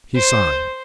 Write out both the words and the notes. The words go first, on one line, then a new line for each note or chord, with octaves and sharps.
He signed.
C5